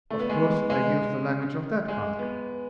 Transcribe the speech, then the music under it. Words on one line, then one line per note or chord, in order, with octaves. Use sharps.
"Of course, I use the language of that country."
A3
B3
G#3
G#3
G#3
B3